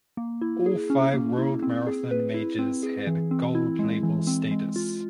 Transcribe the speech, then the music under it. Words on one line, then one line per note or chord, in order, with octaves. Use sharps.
All five World Marathon Majors had Gold Label status.
A#3
E4
G#4
C#4
A#3
E4
C4
G#4
B4
E4
C4
G#4
E3
C4
E4
G#3
E3
C4
G#3
F4